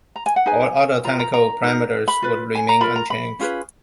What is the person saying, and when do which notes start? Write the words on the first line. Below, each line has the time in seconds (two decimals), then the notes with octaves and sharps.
All other technical parameters would remain unchanged.
0.16 A#5
0.26 G#5
0.36 F#5
0.46 D#4 G#4 B4 G#5
1.04 F4 A#4 A#5
1.19 A#5
1.33 A#5
1.64 D#4 A#4
2.08 B5
2.22 F4 B4
2.55 G#5
2.69 A#5
2.81 F4 A#4 B5
2.96 A#5
3.10 B5
3.39 C#4 F4 G#4 B4